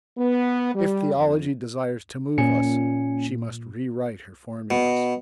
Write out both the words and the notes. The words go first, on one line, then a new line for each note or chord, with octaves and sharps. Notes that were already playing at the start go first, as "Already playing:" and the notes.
If Theology desires to move us, she must re-write her formulas.
B3
G3
F2
A#2 C#4 G#5 C#7
B2